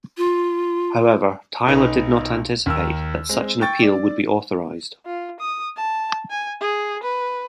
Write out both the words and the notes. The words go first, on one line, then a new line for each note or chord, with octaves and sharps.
However, Tyler did not anticipate that such an appeal would be authorized.
F4
B1 D#4 B4
D#2 A#4 E6
G#3 C4
G5 C#6 A6
D5
F4
D#6
A5
G#5
G#4
B4